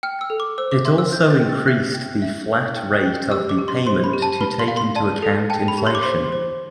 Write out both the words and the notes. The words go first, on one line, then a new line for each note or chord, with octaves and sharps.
It also increased the flat rate of the payment to take into account inflation.
G5 F6
E6
A4
D6
C5 E6
D6
E5 C6
E6
C5 G6
A6
G5
A6
E5 F6
G5
E5
B4
G5
G5
G4 E6
D6
G4
C6
C5 C6
B5
G4
A5
B4 B5
C6
F5
C6
D5 A5
A4
G5 A5
B5
G4
C6
D6
C5 C6
C5